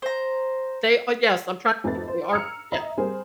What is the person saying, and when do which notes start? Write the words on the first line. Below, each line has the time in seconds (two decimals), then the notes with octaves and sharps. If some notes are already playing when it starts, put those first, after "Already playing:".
They uh, yes, I'm trying to think they are p yeah.
0.02 C5 A#5
1.84 F2 A3 D#4 B4 A6
2.08 C5
2.32 A#5 E6 F6 C#7
2.72 D#5 E5 A#5
2.98 G3 C4 G#4 A#4 C5